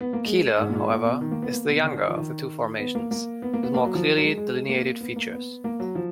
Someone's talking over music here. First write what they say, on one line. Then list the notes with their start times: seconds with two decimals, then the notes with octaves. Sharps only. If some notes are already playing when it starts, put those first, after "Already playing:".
Keeler, however, is the younger of the two formations, with more clearly delineated features.
0.01 B3
0.13 A#3
0.26 G#3
0.58 G#2
0.69 A#2
0.73 G#2
0.90 A#2
1.05 B2
1.21 D#3
1.31 A#3
1.42 B3
1.52 A#3
1.68 B2
1.84 D3
2.08 F3
2.16 D#3
2.79 B3
2.95 A#3
3.11 A#3
3.42 B3
3.53 A#3
3.63 B3
3.74 A#3
3.85 F#3
3.95 F3
4.17 F#3
4.22 G#3
4.37 G#3
4.69 A#3
5.01 B3
5.16 A#3
5.32 B3
5.64 A#3
5.80 F#3
5.95 F3